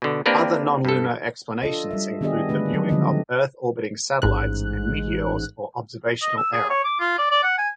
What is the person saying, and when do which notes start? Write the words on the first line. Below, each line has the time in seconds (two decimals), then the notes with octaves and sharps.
Other non-lunar explanations include the viewing of Earth-orbiting satellites and meteors or observational error.
0.02 B2 D3
0.26 A#3 C4 D4 G4 A#4 B4
0.85 G2 A4
1.62 D4 F4 A4 D#5
1.91 G3 E5
2.21 D#3 B3 D4 G4 G#4 D#5
2.49 D3 G#3 A3 D4 B4
2.74 F#3
2.89 D3 D#3 F3 G#3 C4 D#5
4.22 A1 G#2 F#6
6.22 D#5
6.37 E6
6.53 G#4
6.70 C#5
6.84 D6
7.00 F4
7.18 D5
7.31 D5
7.43 F#5
7.58 G#5